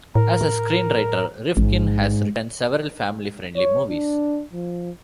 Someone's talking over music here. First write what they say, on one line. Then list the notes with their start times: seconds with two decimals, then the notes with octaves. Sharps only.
As a screenwriter, Rifkin has written several family-friendly movies.
0.15 A2 A#4
1.57 A1 G#2
3.56 C#5
3.90 D4
4.53 F3